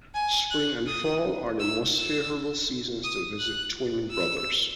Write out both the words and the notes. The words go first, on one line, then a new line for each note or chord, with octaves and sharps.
Spring and fall are the most favorable seasons to visit Twin Brothers.
G#5
F#6
D#6
E6
E6
D#6
F#6
E6